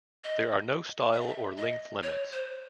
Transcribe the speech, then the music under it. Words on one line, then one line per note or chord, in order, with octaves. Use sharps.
There are no style or length limits.
D#5
E5
D#5
E5
D#5
C#5
C5